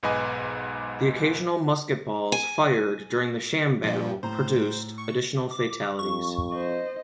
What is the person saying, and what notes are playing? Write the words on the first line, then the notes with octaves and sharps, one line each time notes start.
The occasional musket balls fired during the sham battle produced additional fatalities.
B1 G#2 B4 D#5 G#5 D6
G#5
A#2 F3 G4
A2 C5 A#5
C#6
D6
F2 C#6
C5 D#5